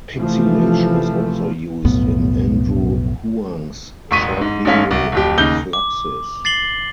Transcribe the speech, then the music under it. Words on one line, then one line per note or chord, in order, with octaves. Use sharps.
Pixilation is also used in Andrew Huang's short video "Fluxis".
C3 E3 F3 A3
B1 F2 A2 B3
E1 A1 C#6 B6 D#7
G#2
A1 G#2 A3 C#4 F5 B6
C2
D1 F2 G4
D#2 C#3 D#4 G6 G7
D6
A6 C7 F#7 G7